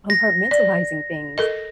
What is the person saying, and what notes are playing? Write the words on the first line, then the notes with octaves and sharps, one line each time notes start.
compartmentalizing things,
A#6
D5
A4 A#4 D#5